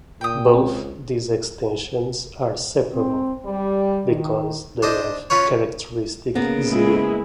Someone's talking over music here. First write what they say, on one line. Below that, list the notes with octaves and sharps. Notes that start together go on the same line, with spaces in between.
Both these extensions are separable, because they have characteristic zero.
A#2 G5 D#6
C#2 C4
C4
G3
D#3
D4 C5 D#5
C#4 F4 B4 C#5
C#3 A#3 B3 A#4
G#3 E4 G#4